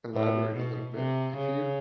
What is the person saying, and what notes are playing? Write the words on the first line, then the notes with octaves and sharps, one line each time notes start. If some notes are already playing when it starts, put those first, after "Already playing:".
elaborate a little bit. If you
A2
B2
C3
C#3